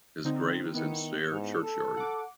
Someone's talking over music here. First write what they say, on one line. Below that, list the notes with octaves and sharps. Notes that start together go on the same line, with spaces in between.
His grave is in Stair churchyard.
D3 C4 D#4
D#3 B3 E4 C#7
G#2
A4
F#5 D6